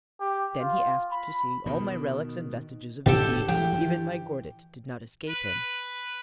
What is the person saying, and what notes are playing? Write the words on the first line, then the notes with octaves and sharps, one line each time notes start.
Then he asked to see all my relics and vestiges of the deed; even my gordit did not escape him.
G4
F4
B5
B2 D#3
A2 D3 G4 A4
E3 F#3 G#3 G4
G2 E3
B4